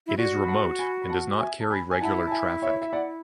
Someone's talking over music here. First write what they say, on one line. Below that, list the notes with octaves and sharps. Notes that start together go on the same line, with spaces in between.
It is remote and does not carry regular traffic.
E4
F#4 D5 F#5
B5
F#5 A5
G#5 B5
B5
F#5 A5
E5 G#5
A5
G#5 B5
G#5
E4 F#5 A5
A5
E5 G#5
C#5 E5
E5
D5 F#5